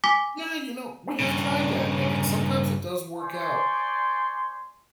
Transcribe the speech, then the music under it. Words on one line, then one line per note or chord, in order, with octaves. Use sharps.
Yeah, you know, we have tried that, a and sometimes it does work out,
G#5 D6 B6 G7
G2 C#3
C5 D5 G#5 C6 C#6